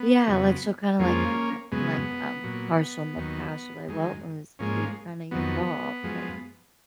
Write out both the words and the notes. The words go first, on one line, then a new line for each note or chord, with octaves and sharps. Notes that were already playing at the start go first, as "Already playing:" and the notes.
Yeah, like, she'll kinda, like ha ha like, um, partial in the past, she'll be like, "Well, mm, skit kinda your fault," or
Already playing: B3
F2 C#3 F#3
F2 F3 G#3 A#3 C#4
F#2 C#3 G#3 B3
A#2 F#3
D#2 D#3 F#3
F#2 D#3 G#3
G#2 F3 G#3 A#3 C#4
F2 D#3 F#3 B3
F#2 F3 G#3